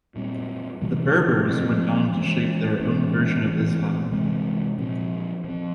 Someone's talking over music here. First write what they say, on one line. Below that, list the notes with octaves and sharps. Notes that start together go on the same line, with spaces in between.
The Berbers went on to shape their own version of Islam.
A#2 G3 C4
C3 E3 G3 A#3
F3 C4
E3 G#3 C#4
E3 G#3 C#4
E3 G3 C4
C3 E3 G#3 C4
A#2 F3 C4
F3 C4